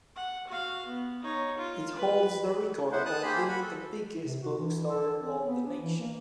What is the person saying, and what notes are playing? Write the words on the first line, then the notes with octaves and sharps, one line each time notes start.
It holds the record of being the biggest book store of the nation.
F#5
F#4 F5
B3
D#4 C#5
F4
B4
B3 E4 C5 F#5
A5 D#6 F#6
A#3 G4 G#4 C5 B5
F#4 B5
A4
C3
F#4
E3
A4
C4
B3
D4
E3
A#3